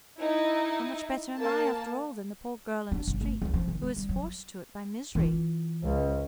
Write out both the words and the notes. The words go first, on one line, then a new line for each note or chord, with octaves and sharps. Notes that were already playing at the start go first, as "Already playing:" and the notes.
How much better am I after all than the poor girl in the street, who is forced to it by misery?
D#4 E4
A#3 A5
D4
G1
A3
C#2
F3
D#3
G#3
G3
F#3
E3 F4
C#2